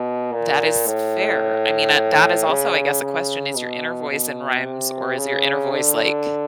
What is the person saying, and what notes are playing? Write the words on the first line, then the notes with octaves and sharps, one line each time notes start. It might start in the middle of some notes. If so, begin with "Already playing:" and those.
That is fair. I mean, uh, that is also, I guess, a question, is your inner voice in rhymes or is your inner voice, like,
Already playing: B2
A#2
A2
A2
C#3
C#3
B2
B2
C3
C#3
D3